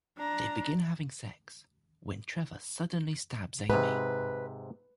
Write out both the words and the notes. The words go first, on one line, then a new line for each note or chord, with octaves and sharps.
They begin having sex when Trevor suddenly stabs Amy.
D4 A#5
G#2 C3 B4